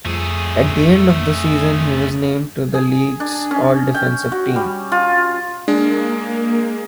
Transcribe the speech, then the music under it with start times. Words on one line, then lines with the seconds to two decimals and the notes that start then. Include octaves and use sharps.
At the end of the season, he was named to the league's All-Defensive Team.
0.05 F2 A3 G#4
2.74 G#4
3.20 D4
3.51 C#4
3.94 G5
4.32 F#4
4.56 G3
4.92 F4
5.68 G#3 A#3 D4